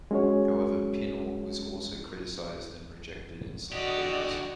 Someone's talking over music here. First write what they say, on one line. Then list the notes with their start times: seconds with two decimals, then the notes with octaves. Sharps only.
However, Pinel was also criticised and rejected in some quarters.
0.11 G#3 C#4 F#4 G#4 C#5
3.72 D3 F#4 G4 D5 D#5